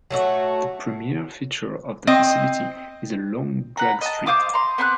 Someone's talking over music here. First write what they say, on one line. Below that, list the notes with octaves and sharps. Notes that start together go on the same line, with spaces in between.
The premier feature of the facility is a long dragstrip.
F#3 A3 D#4 F#4
C4 D#5
B4 F#5 A#5
D#5 A5
C5 F5 D6 D#6
A#5 C6
B3 C4 B5 F#6